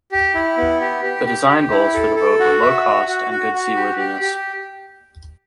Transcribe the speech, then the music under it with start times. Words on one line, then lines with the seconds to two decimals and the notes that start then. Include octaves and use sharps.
The design goals for the boat were low cost and good seaworthiness.
0.12 G4
0.35 E4
0.57 B3
0.80 G4
1.03 G4
1.26 G4
1.48 G4
1.71 E4
1.94 A4
2.16 A4
2.40 F#4
2.62 E5
2.85 F#4
3.08 F#4
3.31 F#4
3.53 F#4
3.76 G4
3.99 G4
4.21 G4